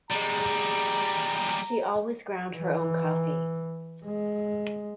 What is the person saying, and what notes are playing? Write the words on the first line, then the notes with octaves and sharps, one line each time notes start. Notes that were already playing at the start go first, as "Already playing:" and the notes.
She always ground her own coffee.
G3 G#3 A#5
E3
G#3